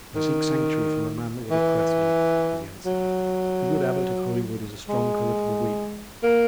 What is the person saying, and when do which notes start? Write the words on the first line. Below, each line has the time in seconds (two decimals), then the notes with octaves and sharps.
"I seek sanctuary from a man that would oppress me," was the answer. "The good Abbot of Holywood is a strong pillar to the weak."
0.15 D#3
1.51 E3
2.85 F#3
4.88 G#3
6.23 A#3